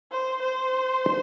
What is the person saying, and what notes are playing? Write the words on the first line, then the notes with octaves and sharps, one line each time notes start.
Setting out, I had three reasons for writing in the style I did.
C5
C5